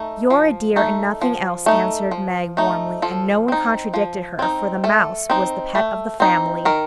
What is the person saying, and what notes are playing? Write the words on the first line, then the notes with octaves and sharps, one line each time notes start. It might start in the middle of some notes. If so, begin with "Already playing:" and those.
"You're a dear, and nothing else," answered Meg warmly, and no one contradicted her, for the 'Mouse' was the pet of the family.
Already playing: A3 D#4
F3
A3 D#4
F3
A3 D#4
F3
A3 D#4
F3 A4
C4 D#4
F3
C4 D#4
A3 A4
C4 D#4
A3
C4 D#4
D#3 A#4